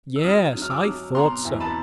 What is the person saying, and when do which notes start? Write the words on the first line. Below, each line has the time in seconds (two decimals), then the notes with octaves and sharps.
Yes, I thought so.
0.16 E6
0.24 F#3 D#6 F6
0.55 F#3
0.62 F6
0.70 D6 E6
0.85 F#3
1.15 B2 A#5 C6
1.45 E2
1.60 A5 B5